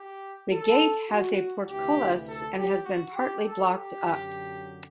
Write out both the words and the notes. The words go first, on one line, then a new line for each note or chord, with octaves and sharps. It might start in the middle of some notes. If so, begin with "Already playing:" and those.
The gate has a portcullis and has been partly blocked up.
Already playing: G4
A4
F#4
D2 C3 E3 G4
A4
G4
F#4
G4
A4
G4
F#2 D3 F#3